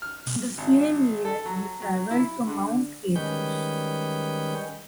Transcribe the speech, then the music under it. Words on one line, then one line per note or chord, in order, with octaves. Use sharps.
In the same year he traveled to Mount Athos.
F6
G#1
A4
F#3
F#3
E4
D3
D#3 G3 G#3 C#4 B4 G6